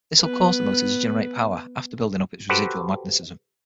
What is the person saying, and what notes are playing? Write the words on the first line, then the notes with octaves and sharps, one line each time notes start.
This will cause the motor to generate power after building up its residual magnetism.
B3 B4
F#4 G4 A4 B4 C5 F#5